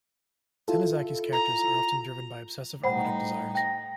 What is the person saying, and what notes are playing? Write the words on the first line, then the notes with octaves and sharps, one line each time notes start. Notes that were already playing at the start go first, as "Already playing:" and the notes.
Tanizaki's characters are often driven by obsessive erotic desires.
E4 F4 A4
A#5
A2 G3 D#4 C5 F#5 B5
G5 A#6